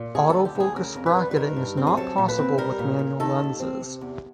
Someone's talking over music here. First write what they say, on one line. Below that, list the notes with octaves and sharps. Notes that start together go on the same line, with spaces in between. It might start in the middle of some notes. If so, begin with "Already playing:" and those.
Auto focus bracketing is not possible with manual lenses.
Already playing: A#2
D3 G#4
D2 A4
G4
D2
G#4
C#3 A#4
F2
B4
G3
B4
D#3 A#4
G2
C4
G#4
F#3 A4
A#2
B4
C4
G3 A#4
A#2
A#2
D#3 A4
D#2
C4
C3
E2